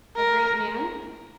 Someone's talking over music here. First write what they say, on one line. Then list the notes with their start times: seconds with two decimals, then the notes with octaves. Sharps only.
A great man?
0.16 A#4